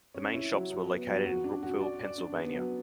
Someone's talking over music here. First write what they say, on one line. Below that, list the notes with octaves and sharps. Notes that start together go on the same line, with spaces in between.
The main shops were located in Brookville, Pennsylvania.
C#4
E4
F#3
F#3
B3
F#3
F#4
D4
F#4
D5
D5
D4
B3
F#3